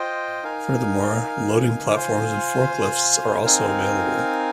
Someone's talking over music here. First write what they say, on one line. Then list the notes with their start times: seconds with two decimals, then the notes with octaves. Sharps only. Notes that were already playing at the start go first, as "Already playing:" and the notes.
Furthermore, loading platforms and forklifts are also available.
Already playing: F4 C5 D#5 G5
0.43 D#4 A#4 F5 G#5
1.94 F4 C5 F5 G#5
3.45 C4 D#4 A#4 F5 G#5